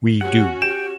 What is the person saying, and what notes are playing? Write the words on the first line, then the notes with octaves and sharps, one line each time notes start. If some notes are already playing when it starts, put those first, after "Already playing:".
We do.
C#4 F#4 G4 F#5
G4 G5 E7